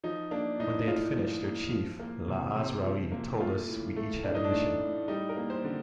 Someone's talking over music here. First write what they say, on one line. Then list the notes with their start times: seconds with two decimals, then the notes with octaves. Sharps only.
When they had finished, their chief Laazraoui told us we each had a mission.
0.04 F3 D#4
0.31 A#3 D4
0.59 A2 D#4
0.88 A2 F4
1.16 F3
1.44 A#3
1.72 F3
2.00 A#3
2.28 C3
2.56 C3
2.84 F3
3.12 A#3
3.40 A3 F4
3.68 A2
3.96 A3
4.23 A2 D4
4.35 D#4
4.44 D4
4.52 A3
4.80 A2
5.08 G3 D#4
5.29 A#4
5.36 A#3
5.50 C5
5.64 D3